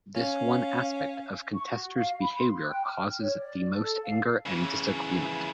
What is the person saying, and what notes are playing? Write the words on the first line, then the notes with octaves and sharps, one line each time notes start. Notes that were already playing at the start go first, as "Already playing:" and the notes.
This one aspect of contesters' behaviour causes the most anger and disagreement.
C#4 F5
C#6
F#4
F5
B5
C6
F#6
G5
F6
C#5
D5
A4
F5
C#3 E3